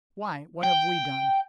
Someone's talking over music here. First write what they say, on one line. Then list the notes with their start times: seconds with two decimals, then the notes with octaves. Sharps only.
"Why, what have we done?"
0.64 G5